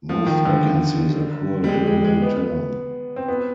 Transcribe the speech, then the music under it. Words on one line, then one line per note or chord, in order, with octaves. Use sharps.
Most vacancies occur during a term.
F3
D#3
D3
G3
G#3
G#3
G#3
B3
C4
B3